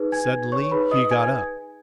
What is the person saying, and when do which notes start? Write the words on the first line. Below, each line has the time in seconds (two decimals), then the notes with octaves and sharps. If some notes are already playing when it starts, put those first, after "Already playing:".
Suddenly he got up.
Already playing: D#4 G#4 B4
0.12 G#5 G#6
0.52 C#5 C#6
0.71 D#4 G#4 B4 B5
0.91 D#5 D#6
1.11 G#5 G#6